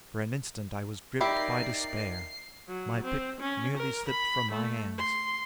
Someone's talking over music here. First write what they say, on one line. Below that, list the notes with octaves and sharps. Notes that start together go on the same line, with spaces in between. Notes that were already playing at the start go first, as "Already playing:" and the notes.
For an instant I was gripped by despair. My pick nearly slipped from my hands.
D#4 E4 G4 A#4 D5 C7
F#3
C4
C#4
A#4
B5
A3
C6